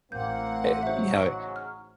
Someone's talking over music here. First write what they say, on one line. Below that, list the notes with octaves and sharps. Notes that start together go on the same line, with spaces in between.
uh, you know, it
A1 A#3 C4 F#5 G6
G#2 C#3 F#3 C5 E5
F6